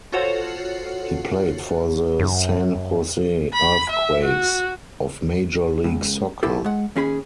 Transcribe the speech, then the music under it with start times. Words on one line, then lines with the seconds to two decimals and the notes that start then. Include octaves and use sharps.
He played for the San Jose Earthquakes of Major League Soccer.
0.12 F4 F#4 A4 C5 C#5 F#5
2.19 F#2
3.53 B5
3.90 E5
4.24 F#4
5.84 C#2
6.43 E4 G4 A4
6.64 G#3 F#5
6.96 D#2 C#4 G#4 B5